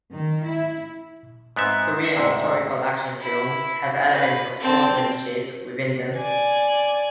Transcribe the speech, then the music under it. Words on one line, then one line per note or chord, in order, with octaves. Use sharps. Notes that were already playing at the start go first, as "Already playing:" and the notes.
Korean historical action films have elements of swordsmanship within them.
D#3
E4
G#2 B3 C4 E5
E5
D2 G#2 C3
E4
B4
C4 A5
D5 G#5